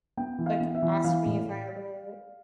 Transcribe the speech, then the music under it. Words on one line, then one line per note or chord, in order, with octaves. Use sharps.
like, asked me if I ever
B3 G5
E3
F5
B3
E5
E3
E3 F5
A2